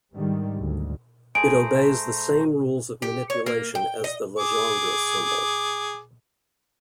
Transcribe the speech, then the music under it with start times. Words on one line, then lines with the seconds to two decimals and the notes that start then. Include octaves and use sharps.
It obeys the same rules of manipulation as the Legendre symbol.
0.13 G#2 D3 D#3 G3
0.58 D2 G#2
1.35 A3 G#4 C5 A#5 D7
3.02 G4
3.30 C#5
3.46 A#3
3.75 G5
4.04 D#5
4.39 G#4 D6